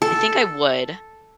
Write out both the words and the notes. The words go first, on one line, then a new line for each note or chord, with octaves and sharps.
I think I would,
A4